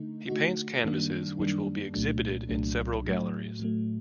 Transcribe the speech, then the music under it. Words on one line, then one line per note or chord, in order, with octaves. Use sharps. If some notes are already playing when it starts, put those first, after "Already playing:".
He paints canvases which will be exhibited in several galleries.
Already playing: D3 A3 D#4
D3 A3 D#4 F#4
F#2 D#3 G3 A#3 D4
F#2 D#3 G3 A#3 D4
C2 A#2 F#3 A3 D4
C2 A#2 F#3 A3 D4
A2 F#3 A3
A2 F#3 A3